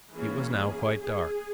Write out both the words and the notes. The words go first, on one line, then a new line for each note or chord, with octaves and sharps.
It was now quite dark.
E3 A#3 C#4 G#4
G#4
G#4